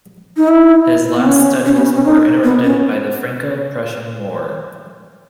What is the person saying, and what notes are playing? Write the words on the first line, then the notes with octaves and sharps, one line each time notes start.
His last studies were interrupted by the Franco-Prussian War.
D#4
E4
B3
C#4
C#4
B3
C#4
C#4
D#4
B3
C#4